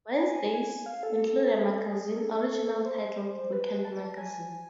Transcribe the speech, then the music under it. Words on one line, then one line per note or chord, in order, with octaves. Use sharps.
Wednesdays include a magazine, originally titled Weekend Magazine.
G#5
G#5
F5
A4
G#4
A4
C5
B4
A5
G#5